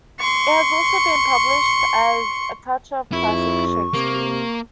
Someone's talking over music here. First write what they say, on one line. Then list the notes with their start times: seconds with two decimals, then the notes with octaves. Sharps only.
It has also been published as A Touch of Classics - Shakespeare.
0.20 C6 C#6
3.13 F2 E4 C#6
3.94 C3 A#3